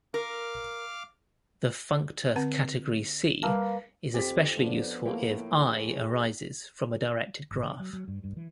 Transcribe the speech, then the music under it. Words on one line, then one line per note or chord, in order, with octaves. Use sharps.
The functor category "C" is especially useful if "I" arises from a directed graph.
A#4 F5 D6 F6
D3 C4 F#5
G3 A#3 B4 A5
F2 C4 G4 G#5 B6
F3 B3 D4
A2 F3 A3 A#3
G#4
G#1
D3
F#3
F#3
G2
G2
E3